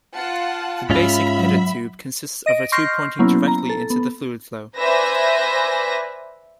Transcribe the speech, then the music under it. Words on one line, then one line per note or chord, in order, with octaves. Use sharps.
The basic pitot tube consists of a tube pointing directly into the fluid flow.
F4 F#5 A5
G#2 C#4 F4 E5 B5
F#3
D#5 A#6 D7
C6 C#6 F6 G6 A#6 C7
F#3 A#3 B3 C#4 E4
A#5
A4
B3
B4 C5 D5 E5 G#5 A#6